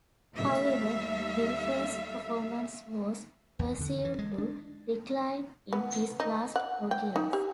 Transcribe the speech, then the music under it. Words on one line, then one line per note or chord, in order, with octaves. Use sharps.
However, Dilfer's performance was perceived to decline in his last four games.
D#2 G3 A3 E5 F5
E2
D3
E3
G#3
D4
B3
D#4
F#5
G5
D#4
G4